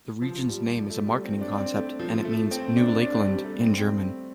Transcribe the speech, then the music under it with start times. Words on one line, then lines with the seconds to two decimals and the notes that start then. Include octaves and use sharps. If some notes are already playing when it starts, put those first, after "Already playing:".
The region's name is a marketing concept and it means "New Lakeland" in German.
0.22 F3
0.48 G3
0.90 A3
1.07 G3
1.24 C4
1.41 D4
1.57 C4
1.74 A3
1.99 F3
2.25 A3
2.51 C4
2.77 D4
2.89 D4
3.01 D4
3.15 C4
3.28 G3
3.44 A3
3.61 C4
3.78 C4